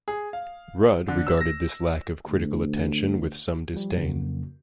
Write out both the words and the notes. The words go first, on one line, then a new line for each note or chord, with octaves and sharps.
Rudd regarded this lack of critical attention with some disdain.
G#4
F5
D3
E6
A#6
D2
F3 G3
F2 C#3 F#3 A#3